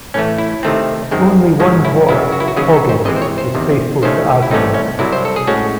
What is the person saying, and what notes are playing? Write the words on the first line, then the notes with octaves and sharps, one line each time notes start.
Only one dwarf, Poggin, is faithful to Aslan.
A2 E3 A3 C#4
E4
C3 D#3 A3 C4
F#2 D#3 G#3 C4
G#2 D#3 G#3 C#4 F#4
E4
F#2 C#3 F#3 E4
F#4
E4
F#4
D#2 C#3 F#3 C#4 G#4
A4
C5
C3 E3 G#3 C4 D#5
C5
C#5
C5
E2 C3 D#3
D#2 D#3 A3 C#4 C5
E4
C2 C3 E3 A3 C#4 D#4
C#4
C2 C3 F#3 E4
C5
A4
G#4
A2 G#3 C#4 F#4